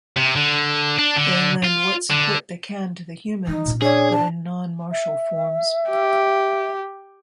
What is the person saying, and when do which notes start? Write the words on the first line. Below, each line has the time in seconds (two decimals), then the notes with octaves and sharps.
They lend what support they can to the Humans, but in non-martial forms.
0.17 C3
0.36 D3
0.99 D4
1.17 D3
1.64 F4
2.10 D3
3.47 E3 G3 D#4
3.66 A#2 C#4
3.82 D4 G#4 C#5 D5
4.12 A5
4.91 E5
5.89 G4